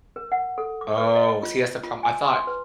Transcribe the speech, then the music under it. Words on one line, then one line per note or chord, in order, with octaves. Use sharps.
Oh, see that's the problem, I thought
A#4
F#5
A4
D6
B4
D#5
F4
F4
G#5
C6
B4